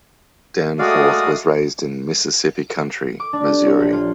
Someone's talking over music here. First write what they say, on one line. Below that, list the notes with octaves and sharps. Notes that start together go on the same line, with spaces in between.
Danforth was raised in Mississippi County, Missouri.
G#3 A3 F#4 D5 F5 D#6
D6
D4
G4
C#5
A#1
F4